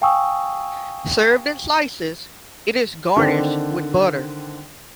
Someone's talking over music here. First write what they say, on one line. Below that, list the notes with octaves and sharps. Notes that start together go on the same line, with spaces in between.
Served in slices, it is garnished with butter.
F5 G5 G#5 C#6 D#6 E6
D3 D#3 C4 D4